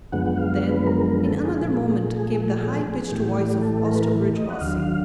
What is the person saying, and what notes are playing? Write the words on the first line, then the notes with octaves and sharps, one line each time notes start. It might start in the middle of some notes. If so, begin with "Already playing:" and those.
Then, in another moment, came the high-pitched voice of Osterbridge Hawsey.
F#2 D3 F3 G#3 B3 F#5
F#5
F5
B4
A#4
A#4
A4
G#4
A#2 F3 A3
A2 E3 A3 G4
G4
A4
A#4
B4
A#4
D#5
F#5
D#2 D3 F#3 F5
F5